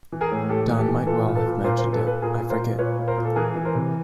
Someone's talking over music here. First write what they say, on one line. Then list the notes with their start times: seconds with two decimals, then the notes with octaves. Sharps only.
Don might well have mentioned it; I forget.
0.12 E3
0.21 G#4 A#4
0.31 A2
0.49 A2 G4 A4
0.69 E3
0.79 G4 A4
0.88 E3
1.07 A#2 A4 B4
1.27 A#2
1.36 A4 B4
1.46 A#2
1.64 A#2 A#4 C5
1.78 A#4 C5
1.84 A#2
1.93 A4 B4
2.03 A#2 A4 B4
2.22 A#2 G#4 A#4
2.41 A#2
2.50 A#4 C5
2.59 A#2
2.79 A#2 B4 C#5
2.99 A#2
3.08 A#4 C5
3.18 A#2
3.25 A4
3.36 E3 G#4 A#4
3.55 E3
3.65 A#4 C5
3.75 C3